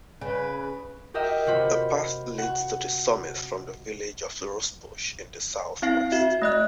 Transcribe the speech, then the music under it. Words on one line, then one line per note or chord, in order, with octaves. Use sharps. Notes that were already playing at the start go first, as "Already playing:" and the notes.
A path leads to the summit from the village of Rosebush in the south-west.
C#3 B4
F#4 G4 A#4 D#5 E5 G5
C3 F4 F#4 C5 B5
F#4 F#5
C4 E4 F5 C7
F#4 E5
A3 D#5 F#6